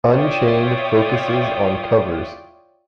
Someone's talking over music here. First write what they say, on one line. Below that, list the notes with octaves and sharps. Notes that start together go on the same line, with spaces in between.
"Unchained" focuses on covers.
F4 C#5 D5 E5 G5 D#6